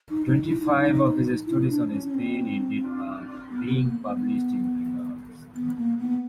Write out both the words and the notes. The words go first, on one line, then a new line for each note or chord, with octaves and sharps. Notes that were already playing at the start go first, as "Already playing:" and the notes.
Twenty five of his stories on Spain ended up being published in Regards.
D#4
D#4
E4
D#4
D#4
E4
D4
C#4
C#4
C4
B3
B3
A#3
B3
B3
A#3
B3